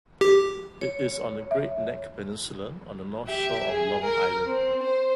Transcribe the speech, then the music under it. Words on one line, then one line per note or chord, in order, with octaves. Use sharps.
It is on the Great Neck Peninsula on the North Shore of Long Island.
G4
C#5
E5
G4 E5
G#4
A#4
C4
C5